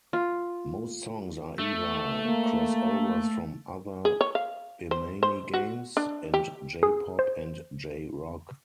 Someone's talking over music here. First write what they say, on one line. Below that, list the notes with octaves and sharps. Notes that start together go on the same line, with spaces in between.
Most songs are either crossovers from other Bemani games, and J-pop and J-Rock.
F4
A3
A#3
G#4
C#5
F5
C5
C5
F#4
D4
G4
G#4
C5